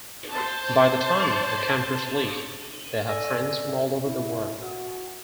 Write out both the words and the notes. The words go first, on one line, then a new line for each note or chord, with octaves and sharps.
By the time the campers leave, they have friends from all over the world.
C5 A5
A4 D5 G#5 E6 A#6
E4
F#4